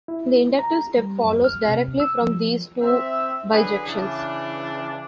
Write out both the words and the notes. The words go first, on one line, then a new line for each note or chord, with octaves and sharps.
The inductive step follows directly from these two bijections.
E4
A#5
G3
F#2
F6
C3
E6
F3
C4 E5
D3 F#3 D4 G#4 B4
C#3 E3 D4